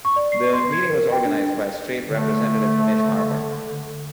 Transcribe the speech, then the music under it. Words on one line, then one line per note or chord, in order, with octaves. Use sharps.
The meeting was organized by State Representative Mitch Harper.
C#6
D5
C7
C6
G#6
A#4
G5
D4
D3 A3